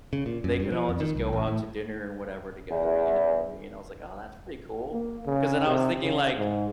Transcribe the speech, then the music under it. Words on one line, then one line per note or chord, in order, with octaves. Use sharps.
they can all just go out to dinner and whatever together, you know what I mean? I was like, "Oh, that's pretty cool." 'Cause then I was thinking like
C#3
A#2
F#2
G2
F3
F2
D#3
C2
A1
A2
E2
A#3
C#3
C3
C#3
G#2